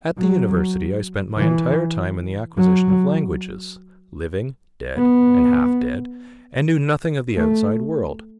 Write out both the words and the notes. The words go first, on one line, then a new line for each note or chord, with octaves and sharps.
At the University I spent my entire time in the acquisition of languages, living, dead, and half-dead, and knew nothing of the outside world.
F#3
E3
F#3
B3
A3